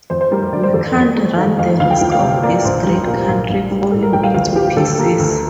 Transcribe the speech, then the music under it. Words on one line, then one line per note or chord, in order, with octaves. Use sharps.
We can't run the risk of this great country falling into pieces.
F2 C5
C5
G3 A#4
C5
D3 D5
C5
F2 A4
F2
A3
D#3 F5
F2 F5
D2 F5
G5
F3
F5
C3
A#3 D5
A#1 C5
G3
A#2 A#4
A#1
A#1
G3
A2 A4
A#4
A#1 G5
F5
D2 F5
F3 G4
D3 A4
A#3
D2